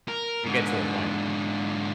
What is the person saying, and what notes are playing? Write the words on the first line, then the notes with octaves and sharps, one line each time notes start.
It gets to a point.
A#4
G#2 D3